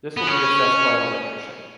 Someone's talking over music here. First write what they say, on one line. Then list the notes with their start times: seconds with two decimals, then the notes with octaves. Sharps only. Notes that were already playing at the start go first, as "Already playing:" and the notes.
This will be assessed by an electrician.
0.17 B3
0.27 C#4